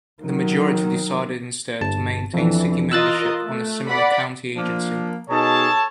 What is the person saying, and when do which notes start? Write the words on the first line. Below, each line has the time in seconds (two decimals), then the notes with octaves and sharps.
The majority decided instead to maintain city membership on a similar county agency.
0.22 D#3 F#3
1.81 G1 A5
2.34 F2 E3 D4
2.92 F4 A#4 D#5 E6 F#6 A6
3.44 A3
3.87 D5 F#5 B5
4.56 F3 A#3 D4
5.30 B2 D#4 G#4 A4 C#5 A5